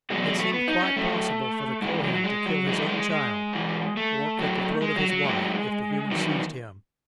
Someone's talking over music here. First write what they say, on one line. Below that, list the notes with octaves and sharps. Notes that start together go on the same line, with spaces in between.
It seemed quite possible for the Kohen to kill his own child, or cut the throat of his wife, if the humor seized him.
E2 B2 F#3 G#3
G#3
A3
B3
D#4
C#4
A2 F#3 A3
G#2 E3 G#3
F#3
G#3
F#3
F#2 E3 G#3
A3
G#3
G#3
G#2 E3
A3
A2 F#3
G#3
F#3
F#3
A2 F#3 G#3
E2 D#3 F#3